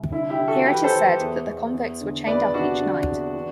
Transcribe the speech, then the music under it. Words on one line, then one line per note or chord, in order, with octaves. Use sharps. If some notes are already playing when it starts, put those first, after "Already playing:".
Here it is said that the convicts were chained up each night.
Already playing: C2
D3 E4
E4 G4
D3
F#4 A4
E3 G4 B4
A4 C5
E3
E2
E2
E2
D3
E2 B4 D5
C3 D4 F#4
D3
E2
E3